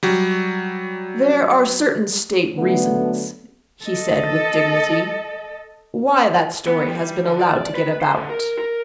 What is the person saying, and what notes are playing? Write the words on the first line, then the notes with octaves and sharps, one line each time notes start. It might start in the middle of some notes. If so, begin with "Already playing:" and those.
"There are certain state reasons," he said with dignity, "why that story has been allowed to get about."
F#3 G3
D3 F#3 A3 B3
A4 D#5
B3
G3
D3
D5
B4
C5
D3
A#4
A#4